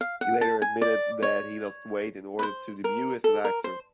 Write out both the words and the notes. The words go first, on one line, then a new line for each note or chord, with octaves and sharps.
He later admitted that he lost weight in order to debut as an actor.
F5
F#5
A5
G#5
D5
C#5
B4
C5
A#4
A4
A#4
C5